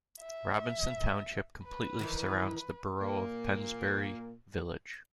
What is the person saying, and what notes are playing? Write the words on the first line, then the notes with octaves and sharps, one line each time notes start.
Robinson Township completely surrounds the borough of Pennsbury Village.
E5
B4
D#3 E3 E4
A#2 A#3